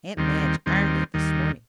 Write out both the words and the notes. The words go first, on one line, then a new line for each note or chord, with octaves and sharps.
"Aunt Madge ironed it this morning."
D#2 D#3 G3 C4
D#2 D#3 G3 C4
D#2 D#3 G3